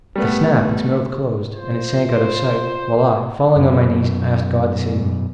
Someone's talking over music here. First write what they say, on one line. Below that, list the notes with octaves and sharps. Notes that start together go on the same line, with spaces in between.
With a snap its mouth closed, and it sank out of sight, while I, falling on my knees, asked God to save me.
G3 A3 B3
F4 C5
F#2 B2